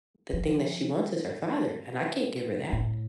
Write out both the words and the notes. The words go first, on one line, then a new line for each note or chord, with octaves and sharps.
the thing that she wants is her father, and I can't give her that.
F3
A2